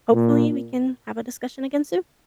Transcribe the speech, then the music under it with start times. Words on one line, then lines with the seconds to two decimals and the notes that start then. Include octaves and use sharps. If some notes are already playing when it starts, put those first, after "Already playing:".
hopefully we can have a discussion again soon.
0.13 A#2